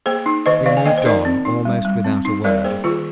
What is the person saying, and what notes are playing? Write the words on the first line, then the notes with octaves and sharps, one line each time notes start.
We moved on almost without a word.
A#3 G#4 C5
D#4
D#3 C5 D#5
D#3 D5 F5
G#5
A#3 D#5 G5
C5
D#4 A#4 D5
C4
D#4
G3
G3
C4
D#4
G3 A#4 D5
A#3 G#4 C5
D#3 F4 G#4